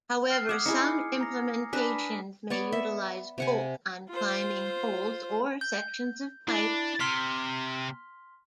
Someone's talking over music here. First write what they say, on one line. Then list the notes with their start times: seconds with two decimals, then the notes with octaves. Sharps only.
However, some implementations may utilize bolt on climbing holds or sections of pipe.
0.30 F6 C7
0.49 E5 F#5 D6 D#6 G#6
0.66 D#4 E4 G#4 G#5 C#7
1.21 A#5 A#6
1.73 D4 B4 G#5 B6
2.50 B3 C#5 D5 C#6
2.72 E5
3.38 C3 F#5 G#5
4.09 F4 C5
5.61 G6
6.48 D4 E4
7.00 C3 C6 F6 B6